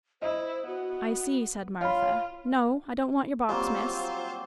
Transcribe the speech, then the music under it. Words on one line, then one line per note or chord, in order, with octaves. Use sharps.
'I see,' said Martha; 'no, I don't want your box, miss.
E4 C5 D#5
B3 F#4
F4 C#5 F5 B5
F#3 G3 A#3 C4 F4 C5